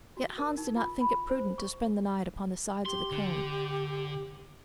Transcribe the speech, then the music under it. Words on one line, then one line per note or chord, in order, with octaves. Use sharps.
Yet Hans did not think it prudent to spend the night upon the sides of the cone.
F#4
A#4
D#4
F4
B5
C5
C#6
G4 C6
D3